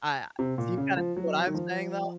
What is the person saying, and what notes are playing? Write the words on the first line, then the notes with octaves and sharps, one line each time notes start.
I do you kinda see what I'm saying, though?
C3
A#2
C#3
F3
F#3
D#3
F3